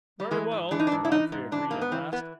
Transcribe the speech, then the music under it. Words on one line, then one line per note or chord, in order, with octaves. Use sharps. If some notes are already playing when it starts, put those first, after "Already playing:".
"Very well," Godfrey agreed, at last.
G3
E3 G#3
G#2
E3 D4
D#4
D4
G#2
E4
E3 D#4
G#2
E3 D4
G#2 A#3
B3
E3 C4
E3 B3